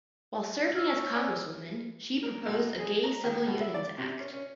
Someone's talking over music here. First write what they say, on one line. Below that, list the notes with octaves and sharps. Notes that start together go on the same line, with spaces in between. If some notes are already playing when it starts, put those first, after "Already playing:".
While serving as Congresswoman she proposed a gay civil unions act.
C#5 E6 F6 G#6
D5 G#5
A#4
B1
G#4
A#5
D#3
B2
E5
D5
C3
C#4
C#4